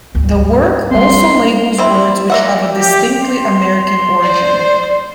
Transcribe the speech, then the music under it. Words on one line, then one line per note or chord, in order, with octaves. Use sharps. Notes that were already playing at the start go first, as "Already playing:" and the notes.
The work also labels words which have a distinctly American origin.
D2 G#2
G3 A#3 C4 C#4 C6
C4 E4
A#3 E5 F#5
G4
C6
C5 D5